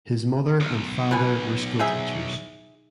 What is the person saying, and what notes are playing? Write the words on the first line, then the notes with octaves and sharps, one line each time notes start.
His mother and father were school teachers.
B1
B2 B4 G#5
D#4 G#4 E5